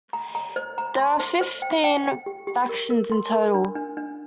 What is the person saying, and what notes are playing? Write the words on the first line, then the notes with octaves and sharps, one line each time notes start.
There are fifteen factions in total.
A#5
A#5
C5
A#5
C6
C5
C5
G5
G5
G5
G4
G4
A#4
A#4
C6
A#4
D4
D4
D4